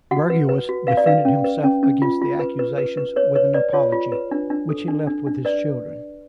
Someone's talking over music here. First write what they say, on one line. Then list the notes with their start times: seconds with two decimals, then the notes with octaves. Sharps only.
Bergius defended himself against the accusations with an apology, which he left with his children.
0.11 F#4 F#5
0.30 B4
0.49 B4
0.69 F#4
0.87 B4 F5
0.97 D5
1.06 B4 F5
1.25 C#4
1.44 B4
1.64 C#4
1.83 C#4
2.02 F4
2.22 F4
2.39 B4
2.59 B4
2.78 B4
2.97 B4
3.16 B4 C#5
3.35 B4 C#5
3.54 B4 D5
3.73 F4 C#5
3.92 F4
4.12 B4
4.31 D4
4.50 D4
4.69 A4
4.88 D4
5.07 D4
5.27 D4
5.45 B4 D5